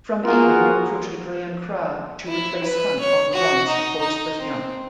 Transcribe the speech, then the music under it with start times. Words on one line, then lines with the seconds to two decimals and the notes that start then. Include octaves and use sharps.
From Eden recruited Graham Crabb to replace Hunt on drums before splitting up.
0.24 A#3 B3 F4 F#4 G#4 A#4
2.28 E4
2.64 B4
2.99 C#5
3.33 F#4
3.67 D#4
4.01 D#4
4.39 C4